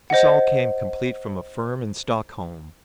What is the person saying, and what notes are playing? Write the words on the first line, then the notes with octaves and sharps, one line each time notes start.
This all came complete from a firm in Stockholm.
C5 D#5 F#5